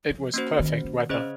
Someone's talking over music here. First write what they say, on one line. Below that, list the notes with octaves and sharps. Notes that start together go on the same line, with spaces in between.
It was perfect weather.
F3
A#3 C#4 F#4 C5
D#3
D#3
C#3 C#4 G#4 C5 D#5